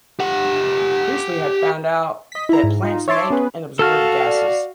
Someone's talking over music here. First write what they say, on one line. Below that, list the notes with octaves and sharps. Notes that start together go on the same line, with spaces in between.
Priestley had found out that plants make and absorb gases.
G4 F#5
D#5 B6
E4 A#5
G#2
D#4 F4
C#5 E5 A5 C6 D6
B3 C#4 G#4 B4
F#4 A4 F5 A5 F6
D5